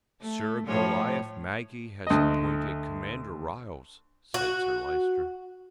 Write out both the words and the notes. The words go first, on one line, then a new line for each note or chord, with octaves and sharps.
"Sir Goliath Maggie has appointed Commander Ryles," said Sir Lyster.
A3
A2 F3 C#5
D2 D#5
F#4